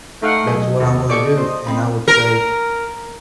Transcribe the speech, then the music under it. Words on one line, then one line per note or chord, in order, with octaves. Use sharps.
that's what I'm gonna do," and I would say,
A3 D#4 F5 F#5
B1 G#4 D#5
D#2 C3 F#4 A4 D#5
G4 A4 D5 C#6 D6
C5
C4 B5
A#4